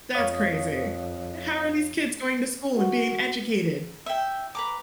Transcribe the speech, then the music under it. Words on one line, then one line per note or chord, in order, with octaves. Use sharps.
that's crazy. How are these kids going to school and being educated?
F2 C#5 F5 D#6
F#4
E5 G5
B4 A#5 D6